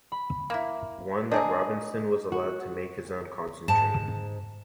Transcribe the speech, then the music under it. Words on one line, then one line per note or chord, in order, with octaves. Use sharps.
One, that Robinson was allowed to make his own concentrate.
B5
A#3 E4
D4 G#4 A#4 D#5
F#4
G#2 A5